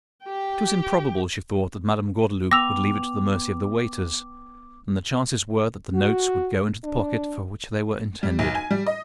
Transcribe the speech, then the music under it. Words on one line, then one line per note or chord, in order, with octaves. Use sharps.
It was improbable, she thought, that Madam Gordeloup would leave it to the mercy of the waiters; and the chances were that the notes would go into the pocket for which they were intended.
G4 G5
B3 G5 D6 E6 A#6 F7
F#4
D4
G3
B1
G#5
G3
D#5